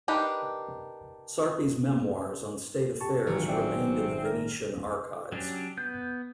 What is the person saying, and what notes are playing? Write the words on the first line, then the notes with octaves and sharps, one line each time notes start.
Sarpi's memoirs on state affairs remained in the Venetian archives.
D4 D#4 G4 A#4 B4
G4 A5 C#6
G#1 A#2 D#3 E3 F#3
C4 D5 E5 G5
A#4
F#3 C#4 D4 G4
B3 G6